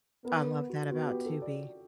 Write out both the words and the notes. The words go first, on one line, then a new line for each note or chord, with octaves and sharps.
I love that, about Tubi.
B3 A#4
F#4
B3 F#4
G4
A4
D5